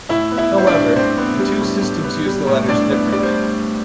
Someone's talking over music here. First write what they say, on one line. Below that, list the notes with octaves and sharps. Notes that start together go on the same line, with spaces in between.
However, the two systems use the letters differently.
A2 E4 E5
B3
E4 E5
G3
C5
D4 D5
A2
A2 C4 C5
B3
G3
A2
A2
B3
G3
A2
A2 D4 D5
B3
G3 D5
C5